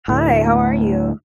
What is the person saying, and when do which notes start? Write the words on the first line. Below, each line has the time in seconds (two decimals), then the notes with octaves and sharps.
Hi, how are you?
0.08 D2 A2